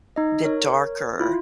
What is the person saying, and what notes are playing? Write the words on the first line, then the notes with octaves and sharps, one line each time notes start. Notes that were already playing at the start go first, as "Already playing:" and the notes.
the darker,
D#4 D#5
A#4 C#5
E4 F4